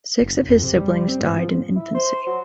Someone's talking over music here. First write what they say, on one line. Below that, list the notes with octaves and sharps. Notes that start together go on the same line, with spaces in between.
Six of his siblings died in infancy.
F#1
F2
C3
G3
G3
C4
G#2
F3
E4
C5
F#3